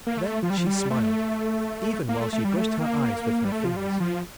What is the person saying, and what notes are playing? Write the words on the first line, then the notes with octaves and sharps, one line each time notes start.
Then she smiled, even while she brushed her eyes with her fingers.
A#3
A3
F3
G3
F3
G3
A3
A#3
A3
A3
G3
A3
A#3
G3
A3
F3
G3
F3